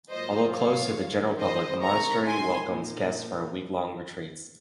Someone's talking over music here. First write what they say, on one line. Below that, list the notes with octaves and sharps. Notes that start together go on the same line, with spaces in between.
Although closed to the general public, the monastery welcomes guests for week-long retreats.
G#2 F#3 A#3 F4 C5 D#5
C#5 F5
F#2 D#3 G#3 C#4
C5 D#5
C3 D#3 G#3 C4 D#4 A#5 C#6
G#5 C6
A#2 F3 A#3 D#4